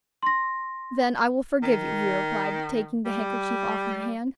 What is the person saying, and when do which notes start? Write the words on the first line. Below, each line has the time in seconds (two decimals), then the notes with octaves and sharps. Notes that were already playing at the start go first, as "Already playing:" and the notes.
"Then I will forgive you," he replied, taking the handkerchief off her hand.
0.23 C6 A#6
1.63 D#3
3.05 G3